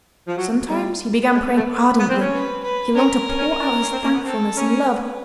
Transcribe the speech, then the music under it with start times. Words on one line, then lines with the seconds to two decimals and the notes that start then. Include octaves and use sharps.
Sometimes he began praying ardently, he longed to pour out his thankfulness and love....
0.28 F3
0.37 F#3
0.70 G3
1.34 G#3 B4
1.45 A3
1.57 A3
1.99 B3
2.09 C4
2.21 C#4
2.31 B4
2.64 B4
2.95 C#4 A#4
3.28 C#4
3.39 C#4
3.50 C#4
3.61 D4
3.72 C#4
3.82 C#4
3.92 C4
4.03 A#3
4.14 B3
4.25 C4 A4
4.57 C#4 A#4
4.89 B4